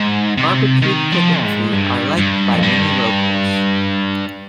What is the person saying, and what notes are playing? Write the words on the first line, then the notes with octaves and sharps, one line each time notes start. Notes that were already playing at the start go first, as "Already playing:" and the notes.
Barbecued chicken feet are liked by many locals.
Already playing: G#2
C3
D#3
F3
G#2
G2
G2
F2
G2